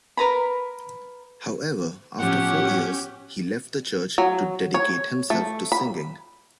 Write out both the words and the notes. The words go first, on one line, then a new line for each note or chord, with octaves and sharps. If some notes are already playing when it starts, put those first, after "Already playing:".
However, after four years, he left the church to dedicate himself to singing.
A#4 B4 A#5 B5
A2 F3 B3 C#4 G4 F#5
F#3
C#5
A3
B5